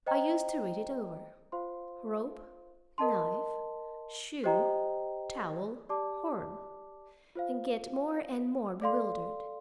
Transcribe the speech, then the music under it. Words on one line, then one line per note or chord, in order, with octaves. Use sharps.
I used to read it over, "rope, knife, shoe, towel, Horn--" and get more and more bewildered.
C5 D#5 G5 A#5
F4 C5 F5 C6
A#4 D#5 A5 C6
G4 C5 D#5 G5 A#5
G4 D5 A5 D6
F4 C5 F5
A4 D5 F5 C6